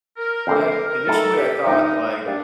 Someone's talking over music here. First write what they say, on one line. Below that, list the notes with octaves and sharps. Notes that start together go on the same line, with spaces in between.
uh initially, I thought, like,
A#4
F2 D3 A3 C5
A#4
A#4
A2 A3 D#4 A4
G4
G2 F3 A#3 D#4
G3 A#3 D4